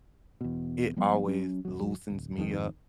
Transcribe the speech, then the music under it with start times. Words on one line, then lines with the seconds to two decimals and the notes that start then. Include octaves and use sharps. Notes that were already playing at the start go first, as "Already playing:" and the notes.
it always loosens me up.
0.41 E2 B2
0.96 F3 G3 B3
1.25 F#3 C#4
1.65 D#1 F#3
2.10 D1
2.37 G#1 F2 D3 D#3